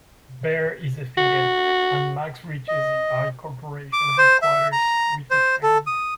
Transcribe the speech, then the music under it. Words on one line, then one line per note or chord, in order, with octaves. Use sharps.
Bear is defeated, and Max reaches the I Corporation headquarters with the train.
F#4
D#5
D6
C5
E5
A#5
C5
A4
D#6